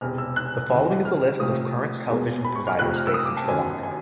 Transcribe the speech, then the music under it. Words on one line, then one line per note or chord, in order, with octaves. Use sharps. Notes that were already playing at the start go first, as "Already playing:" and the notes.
The following is a list of current television providers based in Sri Lanka.
E1 E2 C3 F6
E6
F#6
F2 C3 D#3 G#3
F6
C2 C3 F3 A3 D#6
E2 B2 G#3
B5
C#6
F6
F2 C3 F3 A3 F#6
F6
E6
D#6
D6
A5
G1 F#2 D#3 G#5
G#5